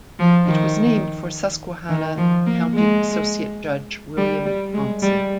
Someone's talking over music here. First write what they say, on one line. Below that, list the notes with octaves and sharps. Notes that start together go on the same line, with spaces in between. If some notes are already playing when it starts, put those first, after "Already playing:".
It was named for Susquehanna County associate judge William Thompson.
F3
D#3
D#3
F3
A#3
G#3
G3
G3
G#3
G3